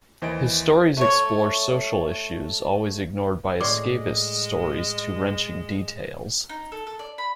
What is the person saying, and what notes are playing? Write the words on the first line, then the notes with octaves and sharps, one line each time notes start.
His stories explore social issues-always ignored by escapist stories-to wrenching details.
D#2 E3 C5 D#5 G#5 D7
A3 C#5
A2 G#3 D5 C6 D6
D#4
A4
A4
D5
B5